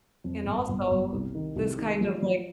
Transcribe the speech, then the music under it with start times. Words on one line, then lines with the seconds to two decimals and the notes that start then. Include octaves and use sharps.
And also, this kind of, like
0.24 F2
0.46 G1
0.69 G1
0.91 G1
1.12 C2
1.35 D#3
1.56 C2
1.78 D#3
2.01 F3
2.22 F3